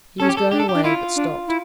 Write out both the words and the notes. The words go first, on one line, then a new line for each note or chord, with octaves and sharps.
He was going away, but stopped.
C#4 A4
G4
A4
D4 G4
A4
G4
D4
E4 F4
D4
E4